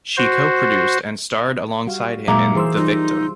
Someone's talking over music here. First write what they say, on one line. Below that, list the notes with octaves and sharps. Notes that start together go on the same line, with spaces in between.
She co-produced and starred alongside him in The Victim.
F#4 C5
G3 F#4 F5
A#2 F#3 G#3 A#3 D#4 E5
E3 G#4 C5 C6 E6
G3 D#4 F4 C5